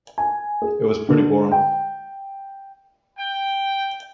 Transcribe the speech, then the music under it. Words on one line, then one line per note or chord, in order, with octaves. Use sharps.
It was pretty boring.
G#5
G#4
D3
G5
G5